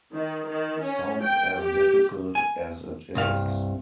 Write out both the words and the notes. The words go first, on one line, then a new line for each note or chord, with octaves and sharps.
Sounds as difficult as it is.
D#3
D#3
C#4
G5
G4
G#5
C2 G2 F5